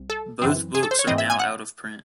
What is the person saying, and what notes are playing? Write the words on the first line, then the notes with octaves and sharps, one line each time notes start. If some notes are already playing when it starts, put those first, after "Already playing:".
Both books are now out of print.
Already playing: C2
A4
F#2 E3 C4
G#4
A4
C5
C#5
G#2 E3 C4 D#5
E5
G#5
F#5